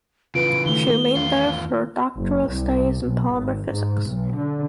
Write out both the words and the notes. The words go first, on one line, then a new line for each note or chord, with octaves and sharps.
She remained there for her doctoral studies in polymer physics.
C#3 E3 F4 B4 D7
D#3 A3 G7
E2 F4
F#1
C2
B1
G#1
G#2
B1
D3